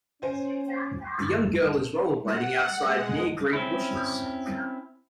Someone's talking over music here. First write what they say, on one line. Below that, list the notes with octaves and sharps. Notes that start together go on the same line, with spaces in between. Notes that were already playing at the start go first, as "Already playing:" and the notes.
The young girl is rollerblading outside near green bushes.
C#4 C5 G#5
F#5
G#3
C4 C#4 E4